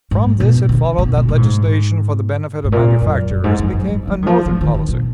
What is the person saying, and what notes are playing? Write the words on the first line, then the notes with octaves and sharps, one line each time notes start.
From this it followed that legislation for the benefit of manufacturers became a Northern policy.
G#2
B2
D3
B2
B2
A#2
G#2
G#2
A#2
F#2
F#2
G#2
F#2
F#2
G#2
F#3
D#3
F3
F3
D#3
D#3
B2